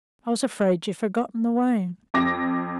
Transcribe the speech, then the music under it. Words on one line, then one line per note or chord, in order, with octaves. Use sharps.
I was afraid you'd forgotten the way.'
F2 D6 A#6